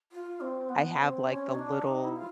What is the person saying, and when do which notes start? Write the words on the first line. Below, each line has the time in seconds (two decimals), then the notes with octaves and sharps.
I have, like, the little,
0.12 F4
0.41 C4
0.69 B3
0.97 C#4
1.02 C4
1.26 D4
1.30 C#4
1.55 D#4
1.59 D4
1.83 D#4
2.04 E4
2.16 F4